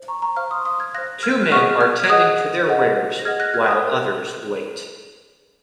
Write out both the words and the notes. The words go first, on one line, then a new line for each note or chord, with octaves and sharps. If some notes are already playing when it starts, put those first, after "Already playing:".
Two men are tending to their wares while others wait.
Already playing: C5
A#5 C#6
A#5 C#6
C5 F5 C#6 F6
C6 D#6
C6 D#6
F6 G#6
C5 F5 F#6 A#6
F6 G#6
F#6
G#4 D#5 F#5 C#6 F6
F6 G#6
G#6
G#4 D#5 F#5 D#6 F#6
G#4 D#5 F#5
A#6
G#4 D#5 F#5 F6 G#6
F#6 A#6
F6 G#6
D#6 F#6
A#4